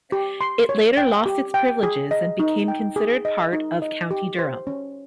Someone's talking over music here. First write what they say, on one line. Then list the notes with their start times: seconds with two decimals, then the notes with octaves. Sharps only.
It later lost its privileges, and became considered part of County Durham.
0.12 G4
0.41 C6
0.69 C#5
0.97 G5
1.26 G4
1.54 G5
1.83 G#4
2.11 D#5
2.39 D#4
2.68 G5
2.96 G#4
3.25 D#5
3.53 D#4
3.82 D#5
4.11 G4
4.39 C5
4.67 C#4